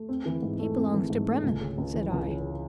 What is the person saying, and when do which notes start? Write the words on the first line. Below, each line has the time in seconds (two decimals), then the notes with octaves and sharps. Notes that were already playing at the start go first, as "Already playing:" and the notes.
"He belongs to Bremen," said I.
Already playing: A3
0.09 C4
0.25 E3
0.42 G#2
0.59 A3
0.76 C4
0.94 E3
1.10 G#2
1.28 A3
1.43 C#2
1.60 C#3
1.78 C#2
1.94 E3
2.11 C#2
2.29 C#3